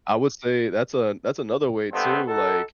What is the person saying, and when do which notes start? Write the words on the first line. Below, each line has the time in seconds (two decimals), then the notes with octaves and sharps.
I would say that's a that's another way too, like
1.93 G2 C3 B3 C4 A4
2.27 D#4 F#4 A4